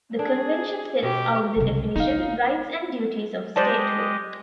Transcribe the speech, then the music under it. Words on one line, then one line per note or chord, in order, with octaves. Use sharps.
The convention sets out the definition, rights and duties of statehood.
D4 G#4
B2 G#3 G4
C2 C#3
B3 D#4 F5
G#3 G4 C5 D5 D#5 A5